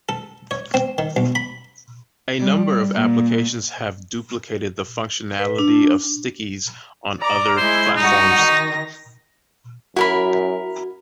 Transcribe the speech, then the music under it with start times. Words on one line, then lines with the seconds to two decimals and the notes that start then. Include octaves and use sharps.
A number of applications have duplicated the functionality of Stickies on other platforms.
0.09 A4
0.51 C#5
0.74 C4
0.98 D#3
1.16 B1
1.35 B5
2.40 G3
2.93 A#2
5.39 B4
5.58 D4
7.19 D5 A#5 D6
7.57 G#3 E4 C5
7.96 G2 D#4 F#4
8.36 D#3 A#6
9.96 F#2 E4 F#4 A#4 B5